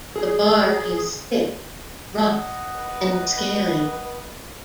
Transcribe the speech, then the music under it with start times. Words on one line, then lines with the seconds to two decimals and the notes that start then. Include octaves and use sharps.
The bark is thick, rough, and scaly.
0.16 G#4
2.14 D#5 F#5
2.78 B4